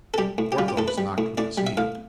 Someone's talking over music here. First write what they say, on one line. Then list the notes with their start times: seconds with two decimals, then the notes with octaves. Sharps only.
Porthos knocked with his hand.
0.14 A4
0.18 G3 G4
0.38 A2
0.52 G4
0.58 G3 F4
0.68 G4
0.77 A2 A4
0.88 B4
0.98 G3
1.18 A2
1.38 A2 D5
1.58 G3
1.67 E5
1.77 A2 F5